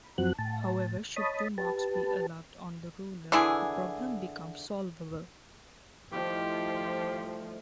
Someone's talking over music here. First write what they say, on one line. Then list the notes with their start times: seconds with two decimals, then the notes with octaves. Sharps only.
However, should two marks be allowed on the ruler, the problem becomes solvable.
0.18 F#2 F3 F#3 C4 F#4 F#6
0.39 A2 A5
1.16 C#5 D#5 A5 B5 D#6
1.58 G4 B4 A5
3.32 D3 E3 E4 G#4
6.13 A2 D#3 F3 G3 G4